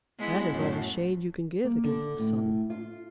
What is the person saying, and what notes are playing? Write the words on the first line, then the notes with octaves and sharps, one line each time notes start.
"That is all the shade you can give against the sun."
G#3 B3 E4
F#2 A2
A#3
D3
A2
F4